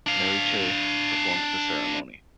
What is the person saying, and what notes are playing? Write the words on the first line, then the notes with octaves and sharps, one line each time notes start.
Mary Cheh performed the ceremony.
D4 F5